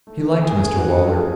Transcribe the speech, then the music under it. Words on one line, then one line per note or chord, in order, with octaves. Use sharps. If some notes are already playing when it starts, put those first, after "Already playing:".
He liked Mr Waller.
A3
B3
G#4
A3 C#4
G#4
B3 D4 F#4
C#4 F4
A4
G#4